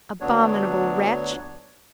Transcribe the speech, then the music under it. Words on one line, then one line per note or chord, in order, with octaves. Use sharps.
Abominable wretch!
D2 F#3 B3 D4 C#5